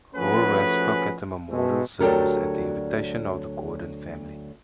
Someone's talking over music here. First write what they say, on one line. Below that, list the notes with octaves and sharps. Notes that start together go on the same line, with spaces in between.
Horwath spoke at the memorial service at the invitation of the Gordon family.
F3 A3 C#4 F#4 G#4 B4
B2 G#3 A3
D2 F#3 D4 G4 A4 A#4